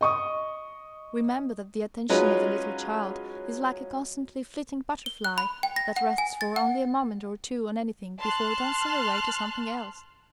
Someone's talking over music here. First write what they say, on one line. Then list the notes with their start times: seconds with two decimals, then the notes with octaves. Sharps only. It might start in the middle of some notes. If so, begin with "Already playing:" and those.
Remember that the attention of a little child is like a constantly flitting butterfly that rests for only a moment or two on anything before dancing away to something else.
0.01 D#5 C#6 D#6
2.09 F#3 G#3 C#4 D#4 F4 B4
5.06 G7
5.24 F#6
5.38 B5
5.63 G5
5.76 A#6
5.96 F#5
6.18 G#5
6.41 A6
6.56 F#5
8.19 A5 C6 F6 F#6